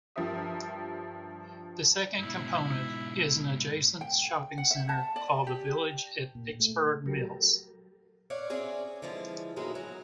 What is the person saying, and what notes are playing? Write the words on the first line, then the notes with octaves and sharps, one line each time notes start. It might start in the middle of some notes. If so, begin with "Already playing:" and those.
The second component is an adjacent shopping center called the Village at Pittsburgh Mills.
G2 F3 G4 A#4 E5 D#6
G#2 B2 E4
G5
F#5
E5
A5
D5
G4
A#2
A3
F#3 G4 A4 A#4
C#5 D5 F5 F#5
C4 C#4 G#4 C#5 D5 E5
D3 E3 F3 G#3 C#4
F#3 G#3 A#3 B3 D#4 E4
F#3